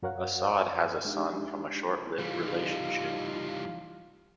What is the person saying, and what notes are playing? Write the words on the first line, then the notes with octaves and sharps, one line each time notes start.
Assad has a son from a short-lived relationship.
F#2 F#4 A#4 C#5 F5 F#5
G#3 D4 D#4 G4
E3 G3 D#4 F4 F5